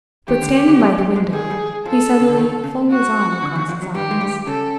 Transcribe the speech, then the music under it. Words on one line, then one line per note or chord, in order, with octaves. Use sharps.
But, standing by the window, he suddenly flung his arm across his eyes.
D#2 D#3 G4
D3
D3
F#2 F#3
G2 G3
G#2 G#3
G2 G3 G#4
G2 G3
F2 F3 A4
C#3
D3
D#2 D#3
C#3
F#4
D3
D#2 D#3
F2 F3
F#2 F#3
G2 G3 G4
G#3
G2 G3
C#3 A4